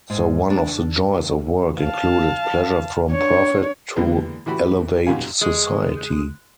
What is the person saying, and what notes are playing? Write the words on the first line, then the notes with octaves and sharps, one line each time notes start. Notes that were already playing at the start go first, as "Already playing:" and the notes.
So one of the joys of work included "pleasure from profit" to elevate society.
G#2
D4
F5 A5
D4 C#5
D3 E3 G3 G#3 A#3 B3
A2 E3 F#4 G4 B5
B1 F#2 A#2 G4 F5 G#5
G#3